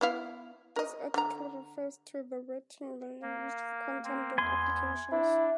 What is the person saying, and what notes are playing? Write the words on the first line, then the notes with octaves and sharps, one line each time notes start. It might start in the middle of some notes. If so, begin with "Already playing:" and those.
This article refers to the wetting layer used for quantum dot applications.
B3 E4 F5
A#4 D#5
D3 A#5
A#3
A#3 C4
E2 G#5 C6
D4 E4